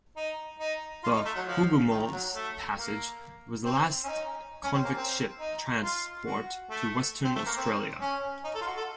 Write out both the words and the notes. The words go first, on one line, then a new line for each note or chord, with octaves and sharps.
The "Hougoumont"'s passage was the last convict ship transport to Western Australia.
D#4
D#4
F4
D#4
A3
F#3
F3
D#3
F#3
A3
A#3
C4
C#4
D#4
C#4
C4
A#3
C4
D#4
F4
F#4
A3
C4
A3
A#3
C4
C#4
D#4
A4
F4
F#4
A4